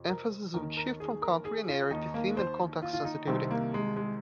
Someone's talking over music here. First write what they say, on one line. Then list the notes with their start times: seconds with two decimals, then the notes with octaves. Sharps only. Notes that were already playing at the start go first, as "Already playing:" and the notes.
Emphasis would shift from country and area to theme and context-sensitivity.
Already playing: F2 C3
0.08 A#4
0.54 D#2 D#3 A#4
0.77 A#4
1.00 G#4
1.22 A#4
1.45 G#4
1.68 F4
1.91 D#2 D#3 D#4
2.14 A#3
2.37 C5
2.82 F4
2.93 F4
3.05 D#4
3.27 C2 C3 D#3 C4
3.51 A#3
3.74 G#3
3.96 G#3